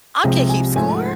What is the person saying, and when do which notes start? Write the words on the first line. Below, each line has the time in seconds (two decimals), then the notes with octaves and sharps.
I can't keep score.
0.24 C2 C3 F3 G#3 C4
0.49 G#5
0.76 G#2 F3 A3 G#5
0.96 F#5